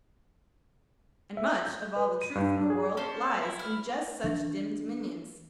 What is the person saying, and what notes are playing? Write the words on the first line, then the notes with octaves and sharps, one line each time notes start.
And much of all the truth in the world lies in just such dim dominions.
E5
G6
B4
D#7
G2
D4
G#4
C#4 C5 A5
E4
F6
E3 D4